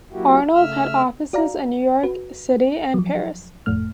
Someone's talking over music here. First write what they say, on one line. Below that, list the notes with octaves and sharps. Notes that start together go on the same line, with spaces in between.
Arnold had offices in New York City and Paris.
F#3 A#3 E4 F#4 G4
C#3 A3 E5 E6 F6
F#4 D5 F5 A#5
F#4 B4
F3 F#3
G1 F2 A2 A3 F6